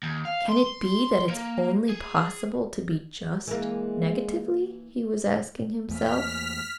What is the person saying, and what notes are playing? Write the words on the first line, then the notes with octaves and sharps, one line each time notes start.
"Can it be that it's only possible to be just negatively?" he was asking himself.
D#2
F5
C6
A#3
G#4
E3 G#3 A#3
E2 A3 A#3 F6 B6